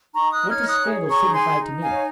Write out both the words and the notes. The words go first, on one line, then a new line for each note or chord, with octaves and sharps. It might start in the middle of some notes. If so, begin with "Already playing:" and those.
What does scandal signify to me?
D#4 A#5 C#6
D#6 F#6
C#5 F6 G#6
D#6 F#6
G#4
A#5 C#6
D#4
G#5 C6
D#4
F5 G#5
C#5